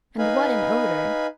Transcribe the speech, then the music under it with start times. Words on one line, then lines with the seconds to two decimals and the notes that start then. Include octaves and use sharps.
And what an odour!
0.18 D#4 B4 F5 G#5 B5